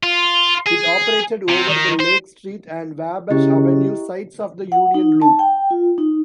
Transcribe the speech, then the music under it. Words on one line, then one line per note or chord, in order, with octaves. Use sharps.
It operated over the Lake Street and Wabash Avenue sides of the Union Loop.
F4
G#4
C3
D#3
C5
C#3 E4 G4 D#5
F#5
D#4
A5
G5
F4
D#4